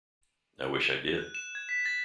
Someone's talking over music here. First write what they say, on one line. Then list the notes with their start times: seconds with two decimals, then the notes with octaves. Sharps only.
I wish I did.
1.18 F#6
1.35 E7
1.55 G#6
1.69 B6
1.86 A6